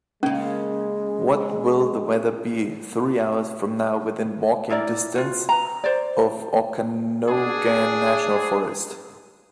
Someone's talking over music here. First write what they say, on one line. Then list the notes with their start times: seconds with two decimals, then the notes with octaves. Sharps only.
What will the weather be three hours from now within walking distance of Okanogan National Forest?
0.23 C#3 G#3 A#3 C#4
4.69 D4 E4 A#4 D5
5.15 F4 F#4
5.49 B4 A#5
5.84 C5 D5
7.26 D4 G#4